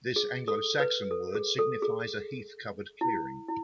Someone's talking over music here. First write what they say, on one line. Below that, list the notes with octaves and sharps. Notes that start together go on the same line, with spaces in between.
This Anglo-Saxon word signifies a heath-covered clearing.
G#4
A4
B4
A4
G#4
A4
G#4
E4
E4